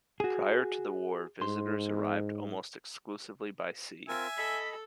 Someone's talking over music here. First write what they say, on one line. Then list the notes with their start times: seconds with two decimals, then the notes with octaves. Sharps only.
Prior to the war, visitors arrived almost exclusively by sea.
0.20 F#4 G#4
1.41 G#2 C6
4.08 C4 F4 A#4 E5 G#5
4.37 A4 D#5 B5 B6